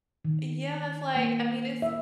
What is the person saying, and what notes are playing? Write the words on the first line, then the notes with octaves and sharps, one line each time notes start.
Yeah, it's like, I mean, it's
D#3
A#3
E5